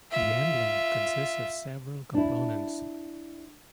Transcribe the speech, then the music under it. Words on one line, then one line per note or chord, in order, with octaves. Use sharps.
The emblem consists of several components.
F4 E5
D4 E4